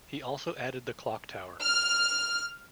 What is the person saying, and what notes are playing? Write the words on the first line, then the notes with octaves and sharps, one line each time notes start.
He also added the clock tower.
F6